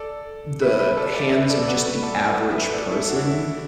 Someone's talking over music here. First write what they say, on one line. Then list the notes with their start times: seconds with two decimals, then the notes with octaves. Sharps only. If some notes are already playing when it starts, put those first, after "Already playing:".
the hands of just the average person
Already playing: A4 D5
0.62 B4 E5
0.79 B4 E5
0.97 A4 D5
1.15 A4 D5
1.32 B4 E5
1.50 A4 D5
1.63 D5
1.67 F#4 B4
1.85 F#4 B4
2.03 A4 D5
2.20 D5
2.27 F#4 B4
2.50 B4 E5
2.70 B4
2.74 A4 D5
2.91 E4 A4
3.04 A4
3.09 D4 F#4
3.27 E4 A4